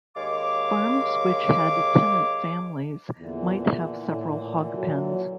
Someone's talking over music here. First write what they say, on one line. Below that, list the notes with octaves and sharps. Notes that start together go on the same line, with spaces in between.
Farms which had tenant families might have several hog pens.
D#2 G#3 C#5 F5 D6
E2 A#2 D3 E3 F3
A2
F#3 A4